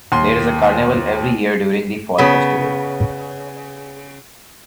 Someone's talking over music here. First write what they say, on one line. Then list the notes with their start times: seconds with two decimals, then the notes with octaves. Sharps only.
There is a carnival every year during the Fall Festival.
0.12 D#2 C6
2.18 C#3 B3